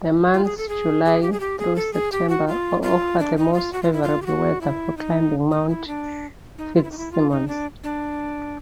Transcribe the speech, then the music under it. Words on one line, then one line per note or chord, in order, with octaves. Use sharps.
The months July through September offer the most favorable weather for climbing Mount Fitzsimmons.
F4
G#4
A4
G#4
G#4
G4
G#4
G4
G#4
A4
G#4
G4
F#4
F4
F4
D4
D#4
F4
F#4
F4
E4
F4
G4
F#4
E4
D#4
D#4
E4
D4
D#4
F4
E4
D#4
E4
F4
D#4
D4
D4